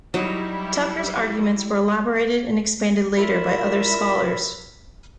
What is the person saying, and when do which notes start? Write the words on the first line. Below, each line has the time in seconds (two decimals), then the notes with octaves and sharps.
Tucker's arguments were elaborated and expanded later by other scholars.
0.14 F#3 G3 D#4 E4
3.17 D4 E4 F4 A#4 E5 B5